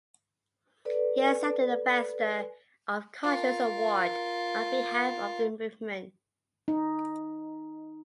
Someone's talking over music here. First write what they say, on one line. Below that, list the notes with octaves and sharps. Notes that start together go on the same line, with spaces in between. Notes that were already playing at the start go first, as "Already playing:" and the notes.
He accepted the Ambassador of Conscience Award on behalf of the movement.
A4 B4 D5
F4 A#4
D#4